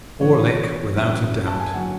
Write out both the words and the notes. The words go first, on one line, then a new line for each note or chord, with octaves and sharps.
Orlick, without a doubt!
A1 A2 E3 B3 C#5
F#2 C#3 E3 E5
A5
G#5
F#1 D3 F#3 F#5